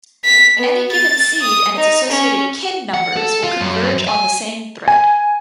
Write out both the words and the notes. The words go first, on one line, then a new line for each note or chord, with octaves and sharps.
Any given seed and its associated kin numbers will converge on the same thread.
B6
B3
A6
D#6
D#4
C#4
F#5
A4
F4
F#2
G#5
G#5